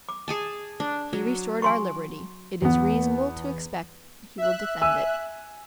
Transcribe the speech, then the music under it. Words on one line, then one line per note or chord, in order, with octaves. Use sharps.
He restored our liberty; it is reasonable to expect he will defend it.
D6
G#4 G#5 A5
D4
F#3
G#5 C6 C#6
E2 B3
E5 F#6
G#5 E6 D#7